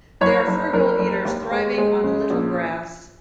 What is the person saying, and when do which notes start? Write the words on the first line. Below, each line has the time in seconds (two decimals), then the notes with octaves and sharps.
They are frugal eaters, thriving on little grass.
0.21 F#1 C#5
0.47 F#1
0.73 F#1 A#4
0.99 F#1
1.25 D#2
1.51 G#3
1.78 G#3
2.04 C#3
2.30 A#1